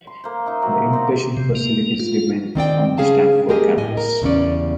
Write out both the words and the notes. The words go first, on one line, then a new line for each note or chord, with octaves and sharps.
The inpatient facilities remain on the Stanford campus.
C6
A#3 C5
D#4 E5 C6
F#3 F#4 G4
C5 F5 A#5 C6
C3
A#3
F4
D#3 C4 D5 G5
C#3 G#3 C#4 G#4 F5 A5
G#3 A#3 G4 G#4 A#4 D#5
A2 D#5 G#5
A#4
E2 C#3 G3 C4 C#4 D5